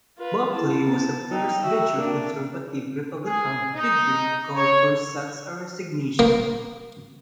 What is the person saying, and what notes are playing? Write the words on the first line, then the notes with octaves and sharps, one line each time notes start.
Buckley was the first major conservative Republican figure to call for such a resignation.
F4 B4
E4 A5
B3
D#4 G5
F#4 E5
A#3 D4
G#4
D#4
C#5
A#3